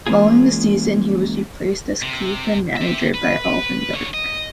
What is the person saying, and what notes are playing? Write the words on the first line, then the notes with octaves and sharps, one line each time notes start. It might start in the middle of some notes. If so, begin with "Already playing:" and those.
Following the season he was replaced as Cleveland manager by Alvin Dark.
E3 G#3 A#3 C#4 F4 G#4
C3
G4 E5
B4
D3 C#5
D#5